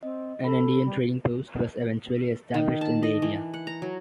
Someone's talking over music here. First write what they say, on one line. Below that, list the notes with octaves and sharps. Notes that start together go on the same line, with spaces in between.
An Indian trading post was eventually established in the area.
C4 D#5
A4 B5
G3
D#3
A5
D#5
E3
F#5
A#5
F#3